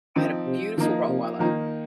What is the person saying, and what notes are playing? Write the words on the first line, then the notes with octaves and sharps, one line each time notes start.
I had a beautiful Rottweiler
D#3 F3 C4 D#4
C3
D#3 F3 A#3 D#4
C3
D#3 F3 A#3 D#4